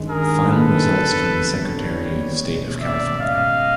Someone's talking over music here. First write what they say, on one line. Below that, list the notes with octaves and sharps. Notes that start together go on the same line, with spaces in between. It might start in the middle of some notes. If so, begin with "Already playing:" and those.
Final results from the Secretary of State of California.
Already playing: G2 D#3 G#3 C#4
G#4 A#4
A4 B4
F2 D3 G3 B3
B4 C#5
B2 G#3 C#4
D5 E5
D#5 F5